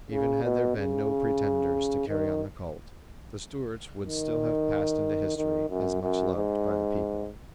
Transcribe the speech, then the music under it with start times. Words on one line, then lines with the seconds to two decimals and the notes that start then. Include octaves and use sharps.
Even had there been no pretenders to carry on the cult, the Stuarts would still have passed into history as much loved by the people.
0.11 C#3
0.44 B2
0.77 C#3
2.08 D#3
4.05 D#3
5.37 D#3
5.70 F#2
6.03 F#2
6.35 G#2